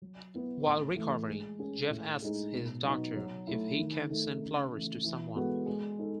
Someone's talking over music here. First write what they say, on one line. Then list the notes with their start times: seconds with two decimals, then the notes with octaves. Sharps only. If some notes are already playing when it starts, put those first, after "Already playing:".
While recovering, Jeff asks his doctor if he can send flowers to someone.
0.02 F#3
0.34 B3 E4
0.66 A2
0.96 E3 A3
1.28 G#3
1.59 C#4 G#4
1.90 A2
2.22 G#3 D#4 G#4
2.53 B2
2.84 F#3 B3 D#4 F#4
3.16 F#3
3.47 A3 E4
3.78 D#3
4.09 A3 D#4 A4
4.41 C#3
4.72 E3 A3
5.04 E3
5.35 G#3 B3 F#4 A4
5.66 G#3
5.99 D#4 A4